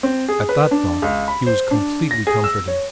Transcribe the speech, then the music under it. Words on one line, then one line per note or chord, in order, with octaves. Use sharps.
At that thought he was completely comforted.
C4
G#4
B4
D4
C#2
B5
C5
D4
A#6
G#4
E6
C#5